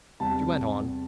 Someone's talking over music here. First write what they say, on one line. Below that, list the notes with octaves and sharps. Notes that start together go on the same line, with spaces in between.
She went on.
E2 C3 G3 A5